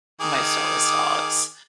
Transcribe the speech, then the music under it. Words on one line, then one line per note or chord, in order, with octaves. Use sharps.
my service dogs
D#3 G#4 D6